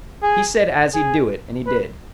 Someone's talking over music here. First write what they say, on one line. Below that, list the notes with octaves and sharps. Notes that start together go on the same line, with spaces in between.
He said as he'd do it, and he did.
G#4
G#4
B4